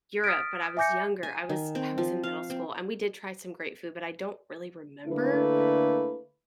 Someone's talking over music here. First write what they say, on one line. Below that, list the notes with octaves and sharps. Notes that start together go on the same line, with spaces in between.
Europe, but I was younger. I was I was in middle school, and we did try some great food, but I don't really remember,
D#6 F6 A6 B6 D7
E5 G#5 D6 G6 A#6 C#7
G#5
D#3
C4
F3
F5
C4
D3 A3 A#3 E4 B4